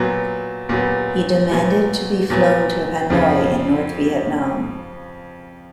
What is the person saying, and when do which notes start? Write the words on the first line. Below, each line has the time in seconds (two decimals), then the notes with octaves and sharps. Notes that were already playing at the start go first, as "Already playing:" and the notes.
He demanded to be flown to Hanoi in North Vietnam.
Already playing: A#2 F#3 B3
0.69 A#2 F#3 B3
1.50 A#2 F#3 B3
2.30 A#2 F#3 B3
3.10 F2 C#3 F3